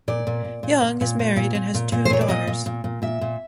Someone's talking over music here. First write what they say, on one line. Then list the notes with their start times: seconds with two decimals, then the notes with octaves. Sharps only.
Young is married and has two daughters.
0.08 A#2 D5
0.27 A#2
0.45 A#2
0.63 A#2
0.82 A#2
1.01 A#2
1.19 A#2
1.36 A#2
1.55 A#2
1.74 A#2
1.92 A#2
2.05 C5
2.10 A#2 C#5
2.21 D5
2.28 A#2 D#5
2.47 A#2
2.66 A#2
2.84 A#2
3.02 A#2 E5
3.21 A#2